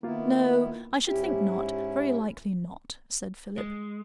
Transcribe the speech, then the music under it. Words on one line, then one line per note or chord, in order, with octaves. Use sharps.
"No, I should think not, very likely not," said Philip.
D#3 A#3 B3 E4 F4
G#2 C#4 E4 G4
G#3